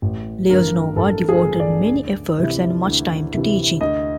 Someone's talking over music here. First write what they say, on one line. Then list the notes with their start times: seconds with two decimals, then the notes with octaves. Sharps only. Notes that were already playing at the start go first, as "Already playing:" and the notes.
Lioznova devoted many efforts and much time to teaching.
0.02 A1
0.49 G2 D3 F3 A#4
0.96 A1 A4
1.29 G#4
1.43 G2 D3 F3
1.60 D5
1.91 D2
2.39 C3 E3
2.86 D2
3.34 C3 E3
3.81 D2 D#5